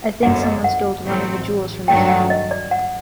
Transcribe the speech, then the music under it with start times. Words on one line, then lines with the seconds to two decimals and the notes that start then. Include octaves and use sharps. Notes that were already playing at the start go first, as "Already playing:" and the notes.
I think someone stole one of the jewels from the crown.
0.22 G1 F#2 D3 F#5
0.43 D#5
0.64 F#5
1.05 A1 A2 F#3 C4
1.88 G2 D#3 F#3 A3 D4 G5
2.09 F#5
2.30 D#5
2.51 D5
2.71 F#5